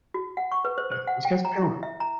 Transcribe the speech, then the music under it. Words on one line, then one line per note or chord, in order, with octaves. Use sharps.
Yeah, those guys pay well.
F#4
F#5
C#6
B4
C5
C5
F#5
G5
A#5
E4
E5
A#5